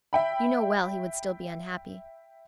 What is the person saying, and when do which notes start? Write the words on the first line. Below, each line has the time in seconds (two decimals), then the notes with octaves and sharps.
You know well he would still be unhappy.
0.13 E5 G5 B5